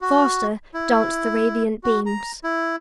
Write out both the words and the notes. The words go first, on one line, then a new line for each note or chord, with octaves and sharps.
Faster danced the radiant beams.
F#4
E4
F#4
A#5
E4